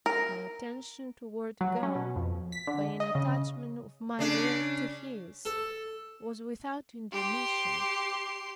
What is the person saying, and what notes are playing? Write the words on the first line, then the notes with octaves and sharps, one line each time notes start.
My attention toward God, by an attachment of my will to His, was without intermission.
A#4
F#3
C#4
B2
F2
B6
D3
D#5
C#3
C#3 D4
A4
G4 C6